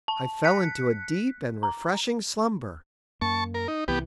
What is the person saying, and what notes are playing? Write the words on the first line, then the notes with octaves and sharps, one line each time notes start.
I fell into a deep and refreshing slumber.
A5
F#6 B6 C#7
A#5
F#2 A#3 A5 C#6
A#4
D#4
C2 E3 B3 G4